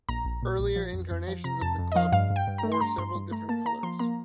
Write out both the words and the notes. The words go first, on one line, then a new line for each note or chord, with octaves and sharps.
Earlier incarnations of the club wore several different colours.
A#1 A#5
A#1
A#2
A#1
F3
F2
F2
F3
C3 A#5
F2 A5
F2
D#5
F3 F5
G2 F5
G2
G5
G2
A#5
A3
C6
G2 A#5
G2 C6
G2
A3 A#5
A#3 A5
A#3 A#5
F3 C6
A#3 A#5